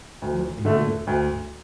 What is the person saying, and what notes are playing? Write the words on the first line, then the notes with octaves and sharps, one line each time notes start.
Nothing really mattered.
D2
D3 A3
D2